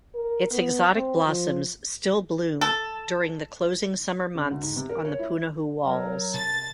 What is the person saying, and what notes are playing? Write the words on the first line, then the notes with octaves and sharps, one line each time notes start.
Its exotic blossoms still bloom during the closing summer months on the Punahou walls.
A#4
B3
C4
F3
A4
C#3
D2
G#2
C3
A#4
C#5
E4
F#3 A#4
C3 A5 A6